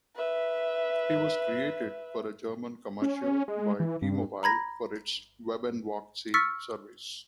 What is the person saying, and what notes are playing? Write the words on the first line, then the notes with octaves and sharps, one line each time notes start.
He was created for a German commercial by T-Mobile for its web'n'walk service.
B4 E5
C#4
G#3
E3
G2
A#5 B5 G#6 A#6
C#6 E6 F6 A6 B6 C#7